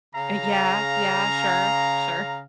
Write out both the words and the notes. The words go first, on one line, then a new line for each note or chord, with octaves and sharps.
Eh, yeah, yeah. Sure, sure.
C#3 F5 A#5